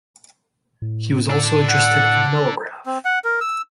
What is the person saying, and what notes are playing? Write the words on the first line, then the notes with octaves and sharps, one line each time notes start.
He was also interested in the melograph.
A2
D4 A4
F#5
C4
F#5
A#4
E6